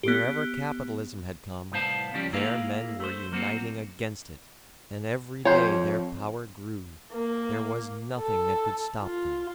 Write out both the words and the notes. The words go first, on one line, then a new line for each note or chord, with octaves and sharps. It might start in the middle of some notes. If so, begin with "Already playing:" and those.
Wherever Capitalism had come, there men were uniting against it; and every day their power grew--there was nothing that could stop them.
B3 G4
C2 A2 B3 C5 F5 A5
C#3 F3 G3 C#4 G4
A#3 E4 G#4 A#4 F5
A3 C5
F#3 A#3 C4 F#4
F2 C5 C#5
A#3
A4
F4